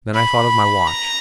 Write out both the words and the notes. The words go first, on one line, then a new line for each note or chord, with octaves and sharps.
Then I thought of my watch.
B5
A#5